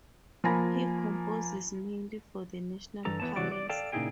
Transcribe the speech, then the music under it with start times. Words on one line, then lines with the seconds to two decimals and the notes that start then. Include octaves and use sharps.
He composes mainly for the National Palace.
0.44 F3 A#3 G#5 B5 A#6
3.05 G2 E3 A4 A#5
3.20 E2 E3 B3 C#5 A5
3.36 C3 E3 F#3 F#4 C#5 D5
3.51 D5
3.69 A4 D5 F5 G5 A5
3.92 A#2 C#3 D#4 E4 G#4 G5